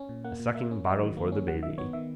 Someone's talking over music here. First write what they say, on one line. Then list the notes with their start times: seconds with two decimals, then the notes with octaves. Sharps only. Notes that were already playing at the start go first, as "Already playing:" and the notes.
A suckingbottle for the baby.
Already playing: C#4
0.09 A#2
0.24 A#3 F#5
0.40 A#2
0.55 A#3 E5
0.71 C#4
0.86 F#3 D#5
1.01 D#3
1.17 A#3
1.32 C#4
1.48 F#3 F#5
1.63 D#3 E5
1.78 B3 C#5
1.93 D#3 E5